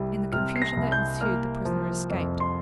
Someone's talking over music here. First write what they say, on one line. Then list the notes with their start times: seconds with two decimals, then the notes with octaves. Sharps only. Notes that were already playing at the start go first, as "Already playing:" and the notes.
In the confusion that ensued the prisoner escaped.
Already playing: C2 G3
0.32 C3 F6
0.56 C7
0.62 A#6
0.77 C2
0.92 G6
1.21 A#3 F6
1.65 F3
2.10 F2
2.40 C6